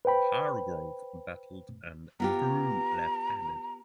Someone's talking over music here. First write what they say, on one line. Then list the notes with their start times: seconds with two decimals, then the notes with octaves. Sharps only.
Hargrove batted and threw left-handed.
0.05 B4 C5 G5 B5
2.20 B3 F4 G4 A#5